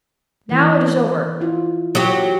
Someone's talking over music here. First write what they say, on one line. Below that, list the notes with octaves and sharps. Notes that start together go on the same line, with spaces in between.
Now, it is over!
E3 A#3
E4 F4
F#3 G4